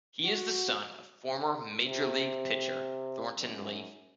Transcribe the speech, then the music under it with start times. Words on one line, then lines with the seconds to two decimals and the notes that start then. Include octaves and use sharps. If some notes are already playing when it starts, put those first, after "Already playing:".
He is the son of former major league pitcher Thornton Lee.
0.24 F#4
1.84 C3
3.39 F#2